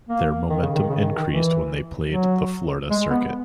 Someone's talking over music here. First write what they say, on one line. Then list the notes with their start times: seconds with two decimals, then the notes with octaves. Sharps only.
Their momentum increased when they played the Florida circuit.
0.09 A#3
0.50 D#3
0.62 C#3
0.76 D#3
0.90 C#3
1.03 D#3
1.17 D#3
1.30 E3
2.10 F#3
2.90 G#3
3.10 B3